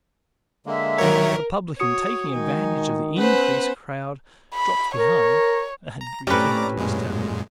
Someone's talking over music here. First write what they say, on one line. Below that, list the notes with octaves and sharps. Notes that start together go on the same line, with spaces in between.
The publican, taking advantage of the increased crowd, dropped behind and returned to his tavern.
D3 G#3 A#3 E5
D#3 F#3 A#4 C#5
F#4 C#5 D#6 C#7
D#3 G#3 D#4 G#5
B3 C#4 B4 C5 F#5
B5
A#4 C#5
A#5
A2 C4 C#4 G4 B4 D5 A#5 D6
F#2 A#2 G#3